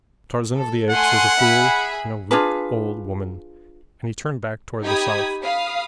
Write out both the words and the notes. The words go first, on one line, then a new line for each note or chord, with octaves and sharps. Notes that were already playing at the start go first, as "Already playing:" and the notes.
"Tarzan of the Apes is a fool and a weak, old woman," and he turned back toward the south.
A4
A3 F#5 G#5 C6
G#4 E5 B5
D4 F4 G#4 B4
D#4 G4 B5 D#6 G#6
F5 B5 D#6